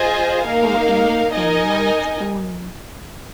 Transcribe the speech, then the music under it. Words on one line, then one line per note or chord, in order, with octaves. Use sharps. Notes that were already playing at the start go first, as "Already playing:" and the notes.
For eleven months only.
Already playing: F4 G#4 C5 D#5 G#5
A#3 D#4 A#4 F5
D#4 A#4 D#5 G#5